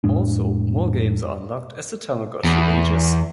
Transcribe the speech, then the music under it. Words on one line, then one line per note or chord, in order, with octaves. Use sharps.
Also, more games are unlocked as the Tamagotchi ages.
F2 A2 G#3 D4
E2